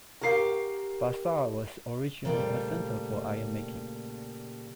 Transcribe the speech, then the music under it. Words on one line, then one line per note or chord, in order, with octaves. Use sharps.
Bassar was originally a centre for iron making.
F#4 G4 A#4 F5 C7
A#2 C#3 G3 A3 G4 C5